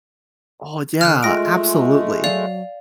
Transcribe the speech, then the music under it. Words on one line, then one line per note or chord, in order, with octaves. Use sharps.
Oh, yeah, absolutely.
D3 F6 F#6
G#3 A3 F4 A#6 D7
F#3 D5 F5 F7